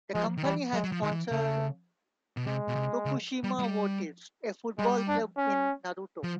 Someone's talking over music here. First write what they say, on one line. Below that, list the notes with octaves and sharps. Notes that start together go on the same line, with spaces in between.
The company has sponsored Tokushima Vortis, a football club in Naruto.
F3 G#3
D#3
E3 G3
F#3 G#3
F#3
F3
D#3 G#3
E3
C#3 A3
B2
C3 G#3
B2
C3
C#3
G3
G#3
G3
G3 G#3
D4
C#4
F3